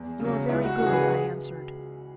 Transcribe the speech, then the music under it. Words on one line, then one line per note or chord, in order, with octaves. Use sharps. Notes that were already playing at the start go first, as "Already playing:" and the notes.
"You are very good," I answered.
Already playing: E2
C#3 F#3
C#2 E4
F#4
C#3 E3 F#4
G#4
B4
G#4